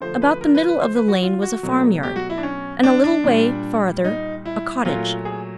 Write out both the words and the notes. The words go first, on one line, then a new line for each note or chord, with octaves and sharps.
About the middle of the lane was a farmyard, and a little way farther a cottage.
D3 F3 A3 C5
B4
A#4
B4
B4
C5
B4
F#4
F4
F#4
B2 F#3 A3
G4
F#4
E4
D4
C#4
D4
D4
A#2 G3
D#4
E4
A#2 F#3 A3 F4
G#4